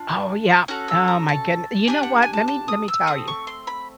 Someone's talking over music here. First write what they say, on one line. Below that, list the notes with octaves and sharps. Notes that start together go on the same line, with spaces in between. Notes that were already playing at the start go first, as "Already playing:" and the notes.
Oh, yeah. Oh my goodne You know what? Let me let me tell you.
Already playing: D4 F4
C#4 F#4 A4 F#6
E6
A#5
A5
D4 G4 G#5
F#5
G#5
A5
A5
D#6
E6
A3 C4 D#6
C#6
C6
B5